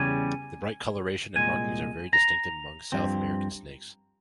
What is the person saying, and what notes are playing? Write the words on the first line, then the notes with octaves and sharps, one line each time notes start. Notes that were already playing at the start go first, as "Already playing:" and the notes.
The bright coloration and markings are very distinctive among South American snakes.
Already playing: E2 C#3 G3 C#4 G#5
C2 A#2 G#3 G#5
A#5
G2 F3 C4